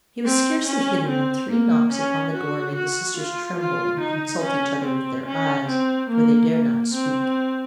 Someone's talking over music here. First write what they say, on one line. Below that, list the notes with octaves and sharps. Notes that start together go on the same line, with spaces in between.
He was scarcely hidden when three knocks upon the door made the sisters tremble and consult each other with their eyes, for they dared not speak.
C4
C#4
C4
A#3
C#4
F#4
F#4
F4
F4
D#4
C#4
C4
C#4
C4
A#3
A#3
C4